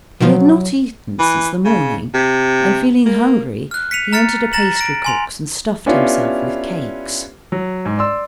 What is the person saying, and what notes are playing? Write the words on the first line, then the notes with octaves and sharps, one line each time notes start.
He had not eaten since the morning, and feeling hungry he entered a pastrycook's and stuffed himself with cakes.
B2 D#3 F3 F#3
E3
C#3
C3
A#3
F6 F#6
B6 C#7 D#7 F7
A#5 F6 A6 C#7
A#5 A6 A#6 E7 F#7
A#6 D7
G#5 C6 F7
B3 C#4 D4 E4 F4 G4
F#3
G#2
D5 C6 E6